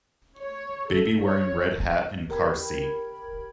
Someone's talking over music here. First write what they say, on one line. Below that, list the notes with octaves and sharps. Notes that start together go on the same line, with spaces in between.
Baby wearing red hat in car seat.
C#5
A4
C#5
G4 A#4 G5 B5 G#6